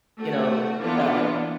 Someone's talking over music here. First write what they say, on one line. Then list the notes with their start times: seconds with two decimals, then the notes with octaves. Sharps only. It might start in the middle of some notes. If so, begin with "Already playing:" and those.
you know, um,
0.19 A3 F#4
0.78 E3 A#3 B3 D4 E4 F4